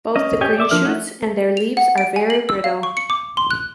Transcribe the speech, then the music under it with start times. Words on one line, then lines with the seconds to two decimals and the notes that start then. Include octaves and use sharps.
Both the green shoots and their leaves are very brittle.
0.16 C#4 D#5
0.41 G4 C#5 D#5 G5 G#5
0.58 D5 E5 D6
0.71 F3 D4 A#4 F6
0.84 A3 E4 D#5 F#5
1.57 F7
1.77 F#5
1.98 D7
2.16 G#5
2.30 F#7
2.49 E6
2.64 F5
2.83 C#6
2.97 C#7
3.10 D6
3.37 C6
3.51 F#6